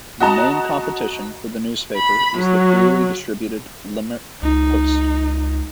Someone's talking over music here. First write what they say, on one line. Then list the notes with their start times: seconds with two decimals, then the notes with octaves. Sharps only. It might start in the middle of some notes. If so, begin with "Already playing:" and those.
The main competition for the newspaper is the freely distributed "Limerick Post".
0.20 F#4 D#5 A5 A#5
1.96 B5
2.37 F#3
4.42 C#2 D#4